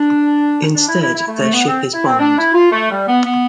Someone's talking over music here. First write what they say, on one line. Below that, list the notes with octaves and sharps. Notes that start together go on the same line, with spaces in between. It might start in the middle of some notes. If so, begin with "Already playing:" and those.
Instead, their ship is bombed.
Already playing: D4
D4
E4
E4
E4
A3
A3
B3
C4
E4
C4
D4
E4
F4
A3
G3
B3
B3